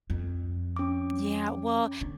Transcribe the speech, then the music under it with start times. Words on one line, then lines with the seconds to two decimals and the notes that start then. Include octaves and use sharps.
Yeah, well,
0.10 F2
0.76 C#4 D6
2.01 D3